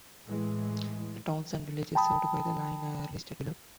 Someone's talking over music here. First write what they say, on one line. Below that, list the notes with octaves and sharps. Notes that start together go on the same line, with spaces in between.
The towns and villages served by the line are listed below.
A2 E3 G#3
G5 A5 B5 D#6